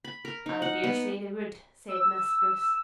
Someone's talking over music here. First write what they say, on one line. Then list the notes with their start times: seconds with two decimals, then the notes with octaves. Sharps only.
"I dare say they would," said Miss Spruce.
0.05 B5
0.25 A#4
0.46 D#4
0.62 F#5
0.84 B3
1.89 E6